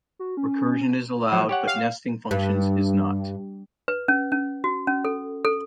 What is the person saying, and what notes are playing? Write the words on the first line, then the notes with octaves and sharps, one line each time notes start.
Recursion is allowed, but nesting functions is not.
F#4
C#4
F3 F#3
G4 C#5 F#5
F5
G2
B4
C#4
C#4
F#4
C#4
A4
A4